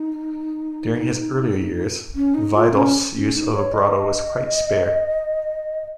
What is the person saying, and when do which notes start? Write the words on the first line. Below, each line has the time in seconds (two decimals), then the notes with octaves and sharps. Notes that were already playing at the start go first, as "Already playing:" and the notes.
During his earlier years, Wiedoeft's use of vibrato was quite spare.
Already playing: D#4
2.15 C#4
2.34 D#4
2.55 F4
2.74 C#4
3.14 C#4
3.35 D#4
3.54 C#5
3.73 D#5